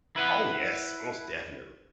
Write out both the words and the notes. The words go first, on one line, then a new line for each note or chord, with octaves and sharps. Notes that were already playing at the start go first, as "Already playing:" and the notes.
Oh yes, most definitely.
E4 B4 F#5